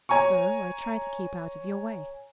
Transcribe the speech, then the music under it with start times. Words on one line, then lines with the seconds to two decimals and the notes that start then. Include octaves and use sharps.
So I tried to keep out of your way.
0.09 C#5 G#5 A#5 C#6